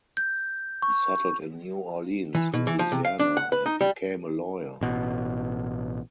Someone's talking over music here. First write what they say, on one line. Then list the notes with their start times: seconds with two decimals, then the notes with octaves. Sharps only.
He settled in New Orleans, Louisiana, and became a lawyer.
0.17 G6
0.82 C#6
2.35 E3
2.53 B2
2.67 E3
2.79 F3
2.92 C3
3.05 F5
3.19 D4
3.37 F#5
3.52 B4
3.66 D#4
3.81 G3
4.81 A1 B2